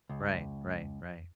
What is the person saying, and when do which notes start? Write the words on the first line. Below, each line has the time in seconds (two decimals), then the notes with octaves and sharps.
Right, right, right.
0.09 C#2